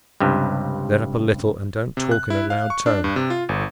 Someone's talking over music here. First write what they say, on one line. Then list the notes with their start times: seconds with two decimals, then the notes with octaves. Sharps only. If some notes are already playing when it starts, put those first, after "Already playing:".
Let up a little, and don't talk in a loud tone.
0.20 C#2 G2 C3
1.97 C3
2.11 F#6
2.30 E4
2.50 F5
2.70 C#6
2.86 D4
3.04 G2
3.16 C3
3.30 F4
3.49 G1